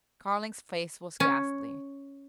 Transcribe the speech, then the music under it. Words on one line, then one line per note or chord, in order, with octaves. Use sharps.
Carling's face was ghastly.
C#4